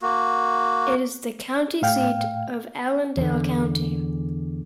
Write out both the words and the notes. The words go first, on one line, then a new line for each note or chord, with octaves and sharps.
It is the county seat of Allendale County.
A#3 F#4
A2 F5 G5
E2 D3